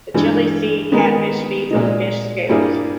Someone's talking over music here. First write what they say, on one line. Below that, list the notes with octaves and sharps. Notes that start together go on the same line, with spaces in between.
The chili sea catfish feeds on fish scales.
G2 E3 G#3
D#3 G#3 B3 D#4 A#4
A#2 G#3 D#4
G2 G3 A#3 E4 G#4